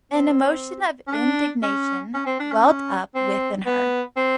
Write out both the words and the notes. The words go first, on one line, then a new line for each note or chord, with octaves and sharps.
An emotion of indignation welled up within her.
C4
C#4
D4
C#4
C#4
C4
D4
C#4
C4
B3
C4